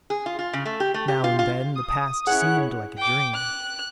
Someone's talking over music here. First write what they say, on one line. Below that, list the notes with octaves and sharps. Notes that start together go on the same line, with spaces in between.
Now and then the past seemed like a dream.
G#4
F4
F4
C#3
A3
G4
A3
G4
F4
F4
D#6
C#4 E4 G#4 C#5 F#5 F#6
G5 D6
F#6